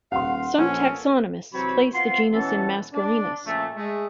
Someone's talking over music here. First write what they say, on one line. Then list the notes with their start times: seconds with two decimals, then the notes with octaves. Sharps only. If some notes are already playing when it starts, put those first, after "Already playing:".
Some taxonomists place the genus in "Mascarinus".
0.12 D#1 F5 F#5 C6
0.58 A#1 A#3 B3 C#4 A4
1.53 C3 E3 F#3 C4 C#5 B5
1.93 B3 C4 F4 C6
2.33 B2 E3 C#4 A4
2.94 D4
3.46 A#2 C#3 F3 A3
3.75 G#3 A3